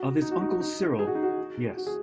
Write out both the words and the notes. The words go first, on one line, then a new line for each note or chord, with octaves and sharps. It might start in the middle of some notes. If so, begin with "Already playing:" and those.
Of his Uncle Cyril, yes.
Already playing: F#4
D#4
F#4
D#4
F#4
D#4
G#4
F#4
D#4
F#4
F#4
G#4